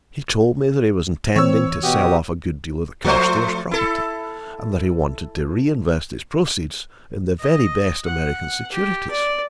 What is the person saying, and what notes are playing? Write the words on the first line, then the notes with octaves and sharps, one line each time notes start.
He told me that he was intending to sell off a good deal of the Carstairs property, and that he wanted to reinvest his proceeds in the very best American securities.
E3 C4 C#5 E6
B2 F#4 G4 D#6
F3 A3 C5
E4 A4
D#5
F#5
G4
D5